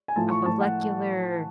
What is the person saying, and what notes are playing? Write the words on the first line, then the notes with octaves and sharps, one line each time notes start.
a molecular
G#5
A2 F3 A3 A5
C#6
A2 F3 A3 A5
F#5